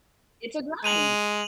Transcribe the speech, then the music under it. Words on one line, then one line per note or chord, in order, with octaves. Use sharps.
It's a grind.
G#3 D#7 F7 F#7